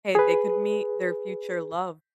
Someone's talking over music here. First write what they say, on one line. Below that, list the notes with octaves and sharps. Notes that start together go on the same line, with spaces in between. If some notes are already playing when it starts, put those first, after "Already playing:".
Hey, they could meet their future love
G#4 B4